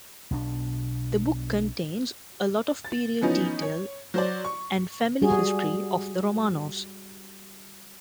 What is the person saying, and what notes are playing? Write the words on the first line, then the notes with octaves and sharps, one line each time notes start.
The book contains a lot of period detail and family history of the Romanovs.
B1 B2 D4
A6
E3 F3 B3 C#4 D#4
C#5
F#3 C5 D5
C#6
G3 F#4 G#4